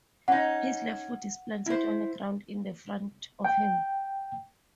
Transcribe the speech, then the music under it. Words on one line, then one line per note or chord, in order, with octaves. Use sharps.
His left foot is planted on the ground in front of him.
C#4 D#4 F#5
E4 C5
G5